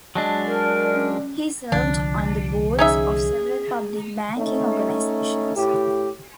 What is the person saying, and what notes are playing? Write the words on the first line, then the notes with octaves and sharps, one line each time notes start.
He served on the boards of several public banking organizations.
F#3 G#3 D4 D#5 A5
A#4 D5
C#4
C2 D3 F3 D4
C#4 D#4 G#4 E5
A3 C#4 D#4
A2 G4